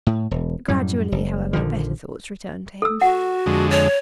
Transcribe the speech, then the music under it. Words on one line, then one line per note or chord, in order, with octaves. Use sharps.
Gradually, however, better thoughts returned to him.
A2
E1
F#2 A2 G3
F#1
A#1 D3 D#3 F3
A4 E6
F#4 F#5
F2 D3 G#3
C#5